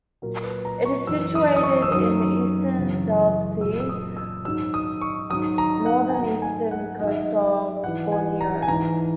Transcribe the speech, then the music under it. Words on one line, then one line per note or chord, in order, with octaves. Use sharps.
It is situated in the eastern Celebes Sea, off the north-eastern coast of Borneo.
A#2 F#3 A#4
B4
A#5
C#6
F#2 E3 E6
D#6
D#6
C#6
E6
F#2 D#3 F#3 D#6
F#2 C#3 E3
A#2 F#3 E6
E6
D#6
E6
G#2 D#3 F#3 E6
D#6
C#6
G#2 D#3 F#3 D#6
A#5
F#5
G#5
G#2 D#3 F#3 A#5
G#5
F#5
G#2 D#3 F#3 D#5
E5
D#5
E5
G#2 E3 F#5
G#5
A#5
G#5
G#2 E3 A#5